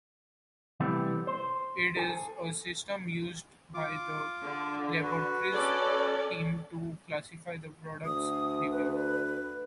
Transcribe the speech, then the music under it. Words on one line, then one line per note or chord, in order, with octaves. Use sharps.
It is a system used by the laboratory's team to classify the products reviewed.
C3 E3 G3 A3 B3 C4
C5
A4 G#5
F4 D6
D3
F#4 B4
C#4 A4 D5
D2 D#6
B4